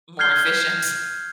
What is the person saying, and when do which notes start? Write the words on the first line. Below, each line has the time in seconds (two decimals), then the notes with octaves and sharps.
e more efficient.
0.19 F6 G6 G#6 C7 G7